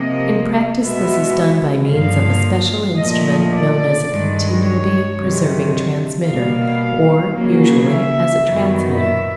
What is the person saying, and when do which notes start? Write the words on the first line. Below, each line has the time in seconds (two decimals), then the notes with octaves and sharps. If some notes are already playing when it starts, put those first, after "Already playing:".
In practice this is done by means of a special instrument known as a continuity preserving transmitter, or, usually, as a transmitter.
Already playing: C3 F3 A#3 D#5
0.80 B2 G#3 B3 E5
1.89 G2 D3 F3 A#3 F5
2.98 A#2 F3 A3 D#5
3.53 D5
4.08 G2 D#3 G#3
4.62 C#5
5.16 C3 D#3 F#3
6.25 B2 G3 A#3 F5
7.34 C#3 F#3 A#3
7.88 E5
8.43 F#2 D#3 F#3 B3
8.97 E5